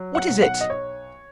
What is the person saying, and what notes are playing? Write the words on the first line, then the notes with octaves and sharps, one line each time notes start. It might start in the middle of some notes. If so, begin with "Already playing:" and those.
What is it?
Already playing: F#3
F#5
B1
F#5
D#5
C#5